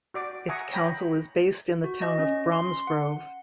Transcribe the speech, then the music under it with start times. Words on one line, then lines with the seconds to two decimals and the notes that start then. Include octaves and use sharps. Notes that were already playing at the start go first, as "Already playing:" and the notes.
Its council is based in the town of Bromsgrove.
0.14 F#4 D5 D6
0.49 E5 F#5 G#5 A#5 C#6 D#6
0.73 C#5 G5 A#5 B5
1.84 F#4
2.02 D#5
2.19 C#4
2.52 C6
2.87 F#5